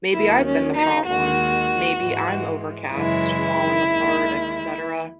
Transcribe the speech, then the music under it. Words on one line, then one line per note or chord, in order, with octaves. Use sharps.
'Maybe I've been the problem,' maybe I'm overcast, falling apart, etc...
D#2 D#3 F#3 E4
C#4
D#4
D#2 D#3 G#3 F#4
G#2 E3 G#3
F#2 C#3 E3 G#3 E4
D#2 D#3 G#3